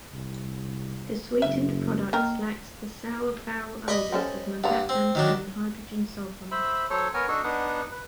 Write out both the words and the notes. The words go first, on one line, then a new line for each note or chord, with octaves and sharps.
The sweetened products lacks the sour, foul odors of mercaptans and hydrogen sulfide.
C2
F#1 E5
D#3 A#3 A#4
D5 D#5 B5 C#6
C4 C#4 A4
G2 F#5 A#5
C4
D#3 F#3 D4
C5 E5 B5
F#3 A4 C5 C#5
B3 A#4 C#5 G#5
D4 D#4 F#4 A4
B3 D4 D#4 F#5
B4